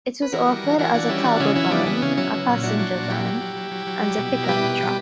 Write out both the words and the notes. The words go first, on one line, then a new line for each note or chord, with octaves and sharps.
It was offered as a cargo van, a passenger van, and a pickup truck.
B4
E3 F#4 A#4
G3
E3
E3 F#4 A#4
E3 D4 F#4
G3 C#4 E4
E3 D4 F#4
C#3 C#4 E4
E3 C#4 E4
G3 B3 D4
E3 B3
C#3 C#4
F#3 C#4 E4
F#3
A#2
F#3 D4 F#4
F#3
A#2
F#3 E4 G4
F#3
F#3
F#3
F#3
F#3
G3
B2
B2
A#4
G3 G4 B4
B2
G3